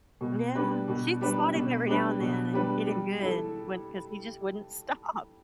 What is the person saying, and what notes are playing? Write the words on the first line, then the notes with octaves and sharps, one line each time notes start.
Yeah. She'd swat him every now and then and get him good when 'cause he just wouldn't stop.
B2
G3 D4 B4
B2
G3 D4 B4
B2
G3 D4 B4
B2
G3 D4 B4
G3
E4 A4